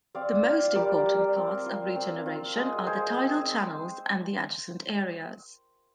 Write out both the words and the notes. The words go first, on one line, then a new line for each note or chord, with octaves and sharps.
The most important paths of regeneration are the tidal channels and the adjacent areas.
C4 D5 F5
F4 D5 F5
G3 A#4 D5
G3
C4
F4
C4
F4
G#3
G#3 G#4 C5
C4